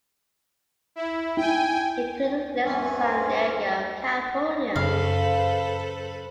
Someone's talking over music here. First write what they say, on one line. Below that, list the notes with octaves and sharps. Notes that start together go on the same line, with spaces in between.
He currently lives in San Diego, California.
E4
E4 G5 G#5
G2 E3 C4 C#4
F#2 C#3 A4 B4 C5 F5